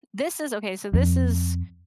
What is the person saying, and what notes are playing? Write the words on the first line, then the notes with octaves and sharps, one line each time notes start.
this is okay, so, this is
F2